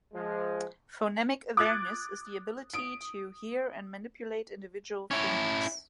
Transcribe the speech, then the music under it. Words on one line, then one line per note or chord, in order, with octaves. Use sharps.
Phonemic awareness is the ability to hear and manipulate individual phonemes.
F3 G#3
D6 D#6 F#6 G#6 A6 D7
D#6 D7
C#4 E4